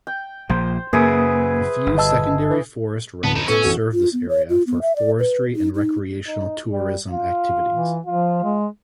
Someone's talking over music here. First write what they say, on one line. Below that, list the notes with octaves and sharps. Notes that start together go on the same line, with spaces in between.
A few secondary forest roads serve this area for forestry and recreational tourism activities.
G5
A#1 F3 A#3 C5
F#2 C#3 A#3 G#4 B4 E5 D#6
G1
D#5 A5 E6
E3
D1 B3 A5
A2 D#4 E7
A2 B3 C#4 A4 C#6
A1 F#4
F4
B3
C#5
F4
B3
E5
D5
B4
D#4
D#4
D#4
G3
F4
E3
F3 F4
G#3